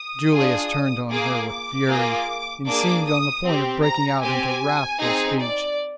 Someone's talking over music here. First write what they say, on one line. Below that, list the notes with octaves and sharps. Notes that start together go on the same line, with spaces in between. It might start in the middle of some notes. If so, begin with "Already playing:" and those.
Julius turned on her with fury, and seemed on the point of breaking out into wrathful speech.
Already playing: D#6
D4 F4 G#4
A#3 F4 G#4 D6
D6
A#3 F4 G#4
A#3 D4 G#4 D6
D#6
C4 G4
A#5
C4 G4 G#5
C4 D#4 G#4
D5